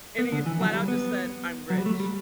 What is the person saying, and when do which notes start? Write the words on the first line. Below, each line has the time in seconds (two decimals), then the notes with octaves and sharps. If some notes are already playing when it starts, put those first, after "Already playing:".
and he flat out just said, "I'm rich."
0.18 B3
0.32 D3
0.46 E3
0.61 F#3
0.74 G3
0.88 B3
1.70 F#3
1.78 G3
1.86 A3
2.00 G3